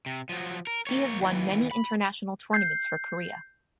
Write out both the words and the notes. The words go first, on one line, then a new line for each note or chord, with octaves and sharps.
He has won many international tournaments for Korea.
C3
F3 F#3
A#4
A#3 C#5
D#2 E3
B5
G6 C7